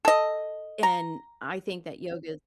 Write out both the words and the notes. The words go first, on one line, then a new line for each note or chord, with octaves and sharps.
and I think that yoga
A4 D#5
A#5